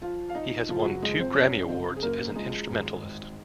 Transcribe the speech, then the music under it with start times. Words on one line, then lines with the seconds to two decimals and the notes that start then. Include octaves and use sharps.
He has won two Grammy Awards as an instrumentalist.
0.01 F3 F4
0.29 F5
0.35 F3 D#4 D#5
0.69 F#1 F3 F4
0.79 G#4
0.85 F#3 F#4
1.02 F3 G#3 G#4
1.19 C4 C5
1.35 F#1 C#4 C#5
1.69 F#1 C4 C5
1.96 G#4
2.03 F#2 A#3 A#4
2.35 F3 G#3 G#4
2.69 G#1
3.03 G#1